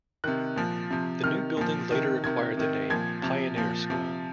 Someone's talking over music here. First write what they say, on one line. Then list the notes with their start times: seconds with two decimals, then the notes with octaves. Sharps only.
The new building later acquired the name "Pioneer" School.
0.24 C3 D#3 F#6
0.56 A#2 F3
0.90 C3 F3
1.23 C3 D#3 F6
1.57 A#2 F3
1.91 C3 D#3
2.24 C3 D#3 G#6
2.57 C3 D#3
2.90 A#2 F3 G#6
3.23 C3 F3
3.56 A#2 F3
3.90 C3 F3